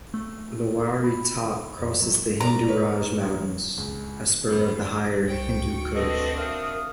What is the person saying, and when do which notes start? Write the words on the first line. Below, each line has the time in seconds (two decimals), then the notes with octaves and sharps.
Lowari Top crosses the Hindu Raj Mountains, a spur of the higher Hindu Kush.
0.14 A3
1.04 B5
1.78 F2
2.02 F#3
2.40 F#4 A#4 D5 A#5
2.68 D#4 A#4 B4 C#5
3.78 C#2
4.48 F#2 B3
4.80 D4
5.27 C2 C5 G5 C#6
5.61 D2 F#4
5.94 C4 D4 F#4 A4 B4 D#5
6.37 A#4 E5 F5 D#6